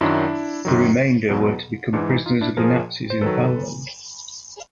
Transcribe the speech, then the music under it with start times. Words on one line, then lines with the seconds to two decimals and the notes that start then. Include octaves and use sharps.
The remainder were to become prisoners of the Nazis in Poland.
0.01 F#2 D#3 F#3 D4 E4
0.65 F#2 D#3 F#3
1.29 E2 B2 F#3
1.93 G#2 E3 D4
2.09 D#4
2.26 D#4 F4
2.41 D4 E4
2.57 A#2 F3 G#4 A#4
3.10 C5
3.21 D#3 F#3 A4 B4